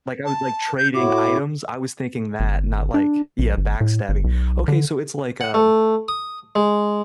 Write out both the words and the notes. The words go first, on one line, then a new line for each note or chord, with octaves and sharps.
like, I was, like, trading items I was thinking that, not like yeah, backstabbing, okay so it's like a
A5
G6
A2 E4 F#4 D6
G1
D4
A#1
G1
A2
G1
B1
D3
F#5
A3
D#6
G#3